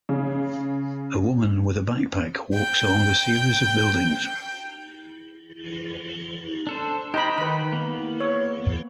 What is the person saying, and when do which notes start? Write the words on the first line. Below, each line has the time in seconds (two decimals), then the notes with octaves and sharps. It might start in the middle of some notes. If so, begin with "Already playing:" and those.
A woman with a backpack walks along a series of buildings.
0.09 C#3
2.54 G5 G6
6.67 D4 A4 C5
7.14 D#4 G4 C5 A#5 B5
7.38 D#3 B4 B5
7.73 A#3 B3
8.20 C#5